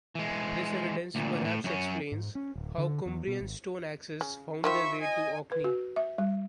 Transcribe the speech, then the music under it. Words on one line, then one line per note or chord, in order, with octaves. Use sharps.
This evidence perhaps explains how Cumbrian stone axes found their way to Orkney.
E3 G#3
D2 A#2
A2
F#2 C#4
G#2
C#4
D1
D3
E2
B2
G#1
C#3
D#3 F4 A4 C5 E5 B5 C#6
D#5 G#5
B4
F#4
E5
G3